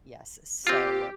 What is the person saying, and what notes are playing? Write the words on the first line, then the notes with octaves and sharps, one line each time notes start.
Yes, so,
C4 F4 G4